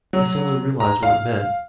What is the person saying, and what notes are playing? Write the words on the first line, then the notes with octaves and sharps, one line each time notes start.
They suddenly realized what it meant.
F#3
A#5
F5